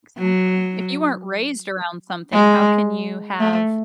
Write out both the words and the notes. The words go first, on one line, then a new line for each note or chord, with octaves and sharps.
Exactly. If you weren't raised around something, how can you have
F#3
G#3
A3